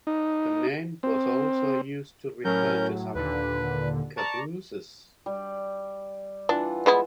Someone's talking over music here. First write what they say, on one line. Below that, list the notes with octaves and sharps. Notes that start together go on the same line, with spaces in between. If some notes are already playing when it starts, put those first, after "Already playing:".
The name was also used to refer to some cabooses.
D#4
C4
A2 F#3 C#4 A#4 G6
D#2 A#2 D3 B4
D5 A5 A#5 C#6
G3
E3 D4 F4 F#5
G#3 B3 E4